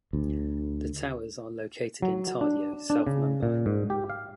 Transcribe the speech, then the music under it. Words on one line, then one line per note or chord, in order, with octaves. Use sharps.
The towers are located in Tardeo, South Mumbai.
D2
F#3
D4
D4
C#3
A#2
G#2
G4
F5